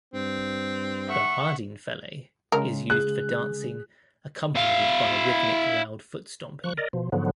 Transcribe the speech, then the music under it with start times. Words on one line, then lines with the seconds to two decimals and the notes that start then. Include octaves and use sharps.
The Hardingfele is used for dancing, accompanied by rhythmic loud foot stomping.
0.14 G2 C4
1.08 E5 F#5 C#6
2.52 C#3 G#3 A#4
2.90 G#4 F#6
4.55 E4 F5
6.64 F3 C#6 F#6
6.77 A#4 D5 D#5
6.93 B2 F3
7.12 G#2 D3 F3 F#3 B3